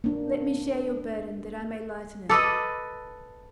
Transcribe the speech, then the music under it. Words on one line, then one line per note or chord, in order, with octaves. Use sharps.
Let me share your burden that I may lighten it.
A#3 D4
A4 B4 D#5 A5 D6 E6